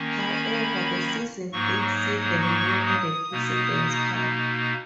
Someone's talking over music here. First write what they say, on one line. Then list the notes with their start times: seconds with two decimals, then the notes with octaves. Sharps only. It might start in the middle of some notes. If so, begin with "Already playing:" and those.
However, the season did see them win the President's Cup.
Already playing: D#3 A#3 C#4
0.18 B5
1.52 G#2 F#3 A#3 D#4 C#6
1.97 D#6
2.41 C#6
2.86 D#6
3.31 B2 A#3 D#4